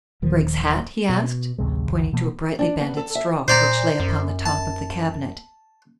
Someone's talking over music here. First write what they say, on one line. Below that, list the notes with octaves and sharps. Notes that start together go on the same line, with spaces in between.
"Sprague's hat?" he asked, pointing to a brightly banded straw which lay upon the top of the cabinet.
D#1 D#3 F3
B2
A1 D2 C3 G#3
G1 D2
B2 E3 A3 B3
D4
B3
A4
E5
A#2 C5 D5 A#5
F#2
A5